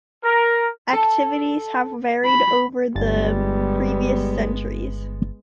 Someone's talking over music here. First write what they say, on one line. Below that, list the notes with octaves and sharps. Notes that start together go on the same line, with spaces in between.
Activities have varied over the previous centuries.
A#4
A4
B5
G1 G3 G#3 B3 A6